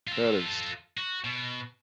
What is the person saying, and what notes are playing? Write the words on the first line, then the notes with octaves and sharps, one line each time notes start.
that is
F4 A4
F#4
B2